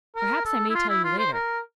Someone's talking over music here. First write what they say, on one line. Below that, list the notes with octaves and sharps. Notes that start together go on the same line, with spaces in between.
Perhaps I may tell you later.
A#4
A4
E4
F4
E4
F4
C5
A#4